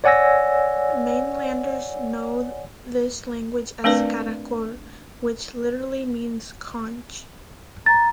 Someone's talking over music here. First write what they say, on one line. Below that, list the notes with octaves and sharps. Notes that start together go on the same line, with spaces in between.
Mainlanders know this language as "Caracol", which literally means 'conch'.
C#5 D5 F#5 G#5 E6 A#6
A3 C4 D4 A#4 B4 D5
A#5 A6